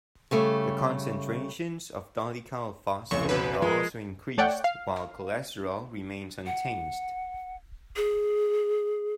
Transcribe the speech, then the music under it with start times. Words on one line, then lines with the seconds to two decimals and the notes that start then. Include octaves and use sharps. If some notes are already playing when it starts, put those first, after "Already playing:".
The concentrations of dolichyl phosphate are also increased, while cholesterol remains unchanged.
0.31 C#3 G3 A3
3.11 F1 C#2 A2 C#6
3.29 G#2 B2 B4
3.62 F3 G#3 A#4
4.38 A3 C#5 D5 F#5 G5
4.64 F5
6.46 F#5
7.96 G#4